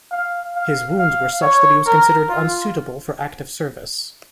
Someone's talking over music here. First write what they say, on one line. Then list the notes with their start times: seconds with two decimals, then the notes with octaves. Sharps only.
His wounds were such that he was considered unsuitable for active service.
0.11 F5
0.56 F5
0.99 F5
1.43 C#5
1.86 A#4
2.30 F4